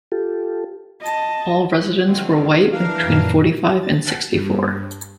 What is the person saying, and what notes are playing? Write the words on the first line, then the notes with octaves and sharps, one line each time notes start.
All residents were white and between forty-five and sixty-four.
F4 G4 A4
D#5 A5
D3 D#3 F3 C4
F1
E3 D4 A#4 F5
F#2 A#2
A6
G2